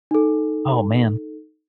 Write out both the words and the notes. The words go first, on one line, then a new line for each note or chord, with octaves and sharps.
Oh, man.
D#4 A4